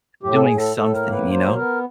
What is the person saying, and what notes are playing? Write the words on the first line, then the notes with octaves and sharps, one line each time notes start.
doing something, you know,
A2 G4
A4
G#4
A2
A4
A2 A4
A#4
A#3
B4
F#3 C5
B3 A#4